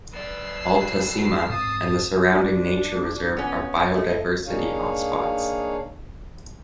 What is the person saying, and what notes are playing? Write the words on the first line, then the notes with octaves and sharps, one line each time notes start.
Alta Cima and the surrounding nature reserve are biodiversity hotspots.
F#2 B4 D5 E6 C7
G#2 C4 A5 D#6
D4
B3 C#4
A3 D#5
A#3 D4 D#4 G#4 C#5 F5